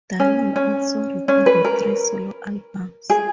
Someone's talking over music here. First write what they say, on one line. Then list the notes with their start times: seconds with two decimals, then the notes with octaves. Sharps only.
Darling also recorded three solo albums.
0.20 C#4
0.56 C#4
1.28 C#4
1.46 B4
1.65 A#4
3.10 G#4